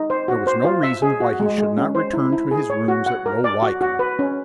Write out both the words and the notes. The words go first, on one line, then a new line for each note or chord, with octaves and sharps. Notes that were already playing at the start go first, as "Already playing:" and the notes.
There was no reason why he should not return to his rooms at Low Wycombe.
Already playing: D#4
C5
F#4
C5
F4
E5
G#4
F#4
G#3
G#3
C#4
C5
E4
E4
G#4
C#5
F#4
F#5
A#4
D5
F#4
F#4
B4
C#4